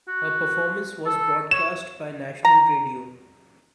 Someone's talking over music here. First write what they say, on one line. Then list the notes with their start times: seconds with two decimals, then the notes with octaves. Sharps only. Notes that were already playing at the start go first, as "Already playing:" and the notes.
Her performance was broadcast by national radio.
0.08 F#4
1.06 A4
1.51 C#5 E7
2.45 A#5